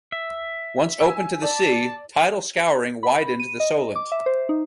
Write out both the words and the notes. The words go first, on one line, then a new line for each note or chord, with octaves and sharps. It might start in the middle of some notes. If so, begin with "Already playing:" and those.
Once open to the sea, tidal scouring widened the Solent.
E5
G#5 E6
D5 A5
B5
D#7
D#5
D6
E5
C5
D#4